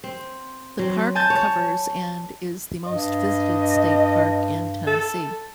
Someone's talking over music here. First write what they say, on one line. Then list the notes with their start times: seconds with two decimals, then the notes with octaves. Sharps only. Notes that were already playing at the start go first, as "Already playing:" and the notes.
The park covers and is the most visited state park in Tennessee.
0.04 C4
0.79 F#3 C4
1.15 G#5 A5 G6
1.30 C#5
2.86 G2 D#5
4.87 A4